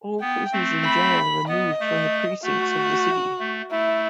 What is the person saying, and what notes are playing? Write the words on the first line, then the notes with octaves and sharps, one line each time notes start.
All prisoners in jail are removed from the precincts of the city.
B3 G5
A3 C4
B5
B3 D#5
A3
A3 F#4
A3
A3 E4